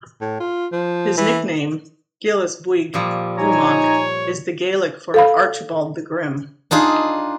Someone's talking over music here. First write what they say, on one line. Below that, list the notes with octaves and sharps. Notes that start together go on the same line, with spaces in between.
His nickname, "Gillesbuig Grumach" is the Gaelic for "Archibald the Grim".
A2
F4
F3
E3
A#2 F3 G3
D#4 C#5 G#5 A#5
A4 F5 B5
D4 D#4 F4 G#4